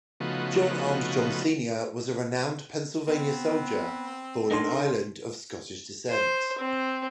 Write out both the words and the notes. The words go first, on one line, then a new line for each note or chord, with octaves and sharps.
John Armstrong Senior was a renowned Pennsylvania soldier born in Ireland of Scottish descent.
C#3 F3 A3 B3 D#4 F#4
B3 C4
D4 D#4 A4 A#4 C6
C5
C4